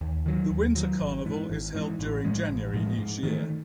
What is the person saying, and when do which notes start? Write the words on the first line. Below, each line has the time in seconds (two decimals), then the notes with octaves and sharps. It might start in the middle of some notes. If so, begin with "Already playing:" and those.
The Winter Carnival is held during January each year.
0.01 D#2
0.26 D#3 F#3
0.50 D#2
0.75 D#3 F#3
1.00 G#1
1.25 G#2 E3
1.50 G#1
1.75 G#2 E3
1.99 A1
2.25 A2 F3 G#3
2.49 A1
2.74 A2 F3 G#3
2.99 G#2
3.23 D#3 F#3 A3